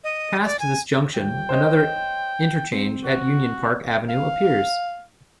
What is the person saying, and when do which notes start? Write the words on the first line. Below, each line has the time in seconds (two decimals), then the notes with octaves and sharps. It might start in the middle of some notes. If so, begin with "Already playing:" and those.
Past this junction, another interchange at Union Park Avenue appears.
0.04 D#5
0.45 D5
0.59 G#5
1.16 D#1 G5
1.49 C5 C#5 D#5
2.72 C4
3.04 F#4
4.09 F5